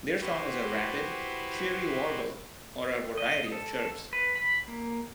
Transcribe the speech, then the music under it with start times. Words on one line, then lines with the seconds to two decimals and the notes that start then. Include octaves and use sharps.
Their song is a rapid, cheery warble or a variety of chirps.
0.20 E4 F#4 G4 B4 C5
3.17 D#5
3.52 A4
4.13 B4
4.35 B5
4.68 A#3